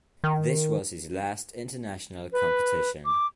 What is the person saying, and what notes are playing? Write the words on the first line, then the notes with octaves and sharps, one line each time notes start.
This was his last international competition.
D#3
B4
D6